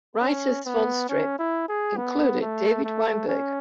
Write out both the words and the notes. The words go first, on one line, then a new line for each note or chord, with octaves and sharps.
Writers for the strip included David Weinberger.
C#4
B3
C#4
E4
G#4
B3
A3
A3
C#4